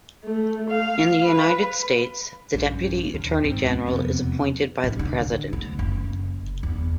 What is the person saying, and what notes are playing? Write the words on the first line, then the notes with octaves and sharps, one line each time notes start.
In the United States, the Deputy Attorney General is appointed by the President.
A3
F5
B4
A#1 G2 C#3
D#2
F#1 C#2 G#2 C4
E1 F2 C3 B3
A1
D3
D2
F#1
E2